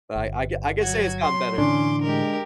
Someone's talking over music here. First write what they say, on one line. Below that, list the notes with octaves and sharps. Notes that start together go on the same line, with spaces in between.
But I I c I can say it's gotten better.
G1
F#3 F#4 G#6
C6
A2 D3 E3 C#4 D4 C6 D6
G#3 G4 A#4